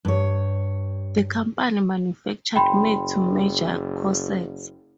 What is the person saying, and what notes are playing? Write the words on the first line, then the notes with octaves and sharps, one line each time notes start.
The company manufactured made-to-measure corsets.
G2 C#5
F#1 G5 B5 C6